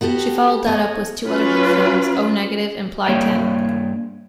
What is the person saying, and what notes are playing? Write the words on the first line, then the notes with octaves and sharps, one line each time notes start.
She followed that up with two other hit films, O-Negative and Plai Tien.
B3 F#4 G4 A4
C#5 D#5
F#3 C#4 F4 B4
G2 G#3 A#3 C#5 D5 G5